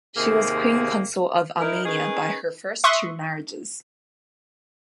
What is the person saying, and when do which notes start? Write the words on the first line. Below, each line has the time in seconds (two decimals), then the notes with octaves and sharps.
She was Queen consort of Armenia by her first two marriages.
0.17 D#2 C3 A#3 G#4
1.60 D#4 E4 A#4
1.86 C#4 D#4 G#4 A#4 B4
2.84 E5 C6 C#6 D#6 F#6